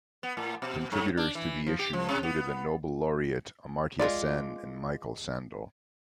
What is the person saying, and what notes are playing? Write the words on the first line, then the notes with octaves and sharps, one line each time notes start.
Contributors to the issue included the Nobel laureate Amartya Sen and Michael Sandel.
B3
A2
B2
G#2
D4
E3
F3
G4
F3
C3
B3
G#3 D#4 F4 D5